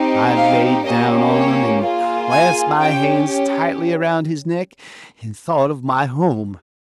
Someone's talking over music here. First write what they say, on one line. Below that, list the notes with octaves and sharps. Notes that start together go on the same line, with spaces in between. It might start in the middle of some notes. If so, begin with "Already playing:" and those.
I lay down on him and clasped my hands tightly around his neck, and thought of my home.
Already playing: C4 D#4 G4
F5
A#3 C#4 G4 D#5
C#5
A#3 F4 G#4
G#5
C#4 G4 G5